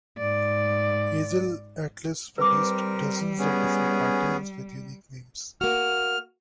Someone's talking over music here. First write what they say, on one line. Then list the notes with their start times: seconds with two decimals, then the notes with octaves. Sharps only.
Hazel-Atlas produced dozens of different patterns, with unique names.
0.18 G#2 D5
2.38 G3 C4 A#4 B4 D6
3.39 B3 C#4 G#4
5.61 A#3 F#4 F6